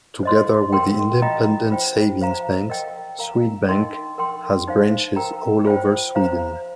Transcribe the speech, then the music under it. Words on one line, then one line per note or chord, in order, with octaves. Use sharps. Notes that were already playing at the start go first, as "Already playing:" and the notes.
Together with the independent savings banks, Swedbank has branches all over Sweden.
C5 D#5 C6
A#4 G5 C6
F4 D#5 G5 A#5
F4 C5 G5
C5 F5 A#5
A#4 D#5 G5
A#4 F5 A#5
D#4 A#4 D#5 G5 C6
A#4 G5 C6
D#4 C5 F5
A#4 G5 A#5
F4 C5 G5
C5 F5 A#5